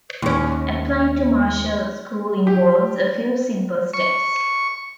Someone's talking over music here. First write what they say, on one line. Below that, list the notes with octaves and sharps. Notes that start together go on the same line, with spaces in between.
Applying to Marshall School involves a few simple steps.
D#2 C#4
G4
C#6